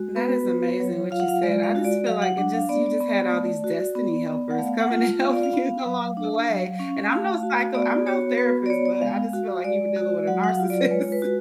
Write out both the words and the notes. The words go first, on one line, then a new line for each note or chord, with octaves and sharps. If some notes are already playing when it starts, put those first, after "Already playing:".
That is amazing what you said, I just feel like it just you just had all these destiny helpers coming to help you along the way and I'm no psycho I'm no therapist, but I just feel like you were dealing with a narcissist,
Already playing: G#3 F#4
B3 B4
B3
F#3 C#5
F4 F5
F#5
F5
G#3 D5
F5
F#4
D5
F#3 F5
F#5
D4 F#5
F5
B3 D5
B3
A3
F#4
B3
B3
F#5
A3 F5
F#5
F4
B3 F5
D5
F5
B3
F#3
D4
F#3
C#4
A3 F5
F#4
B3 D5
F#4 C#5
B3 B4
D5
B3 C#5
D5
G#3 F5
F#4
G#3 D5
F#4
F#3 F#5
F#5
F5
F4
D5
B4
G#3 C#5
B4
F#4